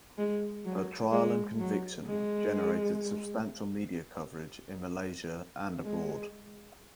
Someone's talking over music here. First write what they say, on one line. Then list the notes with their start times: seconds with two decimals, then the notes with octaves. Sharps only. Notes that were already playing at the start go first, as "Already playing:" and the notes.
Her trial and conviction generated substantial media coverage in Malaysia and abroad.
0.18 G#3
0.65 F#3
1.12 G#3
1.59 F#3
2.07 G#3
5.84 G#3